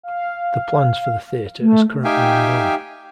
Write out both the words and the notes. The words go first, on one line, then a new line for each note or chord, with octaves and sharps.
The plans for the theater as currently unknown.
F5
A3
D#4 G4 E5 F5 G5 G#5